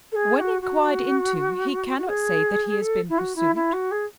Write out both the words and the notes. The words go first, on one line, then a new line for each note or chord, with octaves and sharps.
When inquired into, he cannot say that he has been pursued.
A4
G#4
G#4
F#4
F#4
F#4
G#4
A4
E4
F#4
E4
E4
F#4
G#4